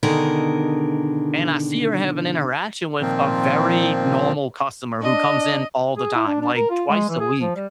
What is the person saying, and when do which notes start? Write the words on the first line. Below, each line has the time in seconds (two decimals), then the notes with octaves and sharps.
And I see her have an interaction with a very normal customer who comes in all the time, like, twice a week.
0.03 B2 D3 D#3 G#4 A#4
3.01 A#2 D#3 F3 C4
5.02 D4 D#5
5.97 G#4
6.15 E4
6.27 D4
6.41 D4
6.55 A#4
6.70 F4
6.89 G#3
7.09 E3
7.20 G#4
7.41 F3
7.56 G3